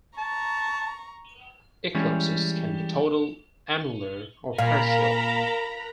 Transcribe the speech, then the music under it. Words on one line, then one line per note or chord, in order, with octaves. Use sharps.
Eclipses can be total, annular, or partial.
A5 A#5 C#6
E3 G3 G#3 C#4
A#2 A#4 F5 A#5 B5